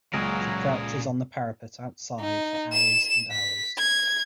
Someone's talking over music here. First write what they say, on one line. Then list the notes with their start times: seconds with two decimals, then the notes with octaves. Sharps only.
She crouches on the parapet outside for hours and hours.
0.14 C#2 A#2 C#3 F#3 G#4 A#4
2.20 D#4
2.73 E7
3.31 B6
3.78 G#6